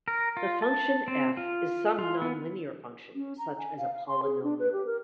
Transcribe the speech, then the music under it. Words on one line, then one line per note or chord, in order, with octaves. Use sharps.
The function "F" is some nonlinear function, such as a polynomial.
A#4
F4
A5
C4
F4
F4
B3
C#4
A#5
G#5
F5
F5
C6
G#4
D4
B4
G4
A#4